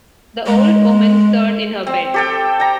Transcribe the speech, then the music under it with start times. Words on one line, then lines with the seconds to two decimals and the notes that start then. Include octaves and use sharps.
The old woman stirred in her bed.
0.46 G#3
1.87 C4
2.14 G4 A4 G5
2.60 G5 A#5